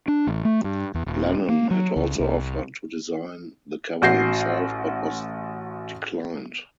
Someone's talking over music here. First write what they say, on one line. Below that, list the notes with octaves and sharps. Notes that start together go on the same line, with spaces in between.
Lennon had also offered to design the cover himself, but was declined.
D4
A1
A3
G2
E2
D#1
A#3
F#3
C#2
C2
A1 F#4 G6 A#6 C7